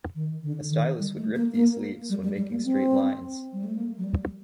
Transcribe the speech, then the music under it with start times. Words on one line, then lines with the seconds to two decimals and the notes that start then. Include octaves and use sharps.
A stylus would rip these leaves when making straight lines.
0.15 D#3
0.43 D3
0.70 D#3
0.98 G3
1.17 A3
1.35 A#3
1.54 A#3
2.10 G3
2.23 G3
2.37 G3
2.51 A#3
2.65 C4
3.53 G3
3.64 A3
3.75 A#3
3.98 F#3
4.04 G3